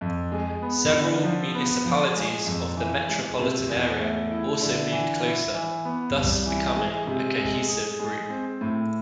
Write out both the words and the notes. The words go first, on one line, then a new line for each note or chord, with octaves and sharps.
Several municipalities of the metropolitan area also moved closer, thus becoming a cohesive group.
F2
G#3
B3
D3
F3
B3
F3
G#3
F2
E3
G#3
C3
E2
A3
E4
D3
E3
E4
E3
B3
C2
E3
G#3
C3
G#3
G#4
G#3
C4
A2